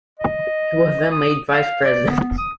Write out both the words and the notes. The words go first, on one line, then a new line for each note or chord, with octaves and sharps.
He was then made vice president.
D#5
D#6
F5
D5
B3
D#6